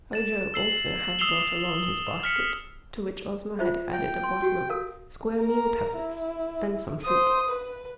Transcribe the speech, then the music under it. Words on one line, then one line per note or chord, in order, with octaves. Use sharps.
Ojo also had brought along his basket, to which Ozma had added a bottle of "Square Meal Tablets" and some fruit.
A6 E7
E6 C7 F#7
D#6 E6 C7 E7 F7 G7
F6 B6 C#7
F4 C5 E5
G5
C6
F#4 G4
A4 A#4 F5
A#4 A#5
E4
C5 D#6
B4